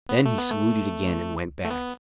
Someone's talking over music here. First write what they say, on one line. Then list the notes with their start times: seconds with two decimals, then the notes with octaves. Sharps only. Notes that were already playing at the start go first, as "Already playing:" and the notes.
Then he saluted again and went back.
0.09 B3
0.25 A3
0.38 B3
0.51 A3
1.65 A3
1.70 B3